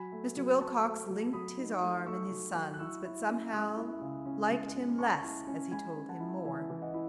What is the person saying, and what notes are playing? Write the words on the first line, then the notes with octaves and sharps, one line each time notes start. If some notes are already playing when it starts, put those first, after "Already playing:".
Mr. Wilcox linked his arm in his son's, but somehow liked him less as he told him more.
Already playing: F#3 G#5 B5
A3
F#3
F#3 A5 C#6
A3
F#3
F#3 B5 D#6
D#4
A3
A3 C#6 E6
F#3
F#3
F#6
E4 C#6 E6
E4
C#4
G#3 D#6 F#6
E4
C#3
C#4
G#3
C#4
C#4 A5 C#6
E4
C#4
G#3 G#5 B5
C#4
F#5 A5
E4
E3 E5 G#5
E3
D#5 F#5
E4